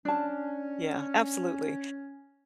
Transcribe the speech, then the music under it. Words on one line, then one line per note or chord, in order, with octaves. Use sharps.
Yeah, absolutely.
C#4 D4 A5